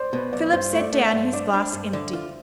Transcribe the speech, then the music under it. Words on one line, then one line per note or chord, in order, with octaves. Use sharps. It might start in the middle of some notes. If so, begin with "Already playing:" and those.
Philip set down his glass empty.
Already playing: C5 D5
B2 B4
B1 D5
G2 C5
A3
D5
A3
E5
G2
D4 D5
D4
G2
D3
F4